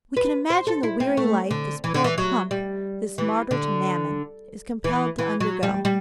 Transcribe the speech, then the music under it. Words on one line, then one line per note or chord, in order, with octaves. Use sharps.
We can imagine the weary life this poor Pump, this martyr to Mammon, is compelled to undergo.
B4
C5
A4
E4
C4
A3
D3
E3
D3
E3
F#3
G3
E3
D3
E3
E3
F#3
G3
G3